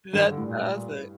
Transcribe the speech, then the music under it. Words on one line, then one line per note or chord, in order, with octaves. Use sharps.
That's awesome.
G2 D#3
D3
A2
A#2